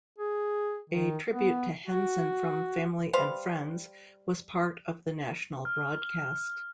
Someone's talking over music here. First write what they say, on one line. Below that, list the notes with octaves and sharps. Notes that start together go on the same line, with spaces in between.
A tribute to Henson from family and friends was part of the national broadcast.
G#4
D#3
B3
F#4
G3 B4 C5 F5
F6